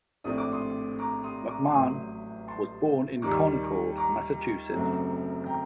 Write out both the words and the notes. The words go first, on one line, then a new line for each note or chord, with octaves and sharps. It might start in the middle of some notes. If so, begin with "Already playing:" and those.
McMahon was born in Concord, Massachusetts.
A#1 A2 A3 C4 D#6
D6
C6 D#6
A#5 D6
C6 D#6
A#5 D6
A1 A2 F#3 C6 D#6
A5 C6
D#2 D#3 G3 A#3 A#5 D6
A#5 D6
F#1 F#2 F#3 A3 C4
G5 A#5